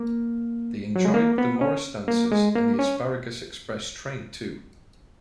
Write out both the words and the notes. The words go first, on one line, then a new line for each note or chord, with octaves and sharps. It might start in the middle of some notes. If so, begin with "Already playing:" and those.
They enjoyed the Morris Dancers and the Asparagus Express train too.
Already playing: A#3
F#3
G#3
A#3
B3
C#4
A#3
G#3
A#3
C#4